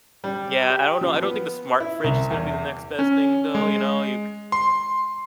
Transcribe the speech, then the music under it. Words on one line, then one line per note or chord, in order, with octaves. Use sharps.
Yeah, I don't know, I don't think the smart fridge is gonna be the next best thing, though, you know? You
G3
G4
F3
B3
E4
C2
E2
C#4
G#3
C6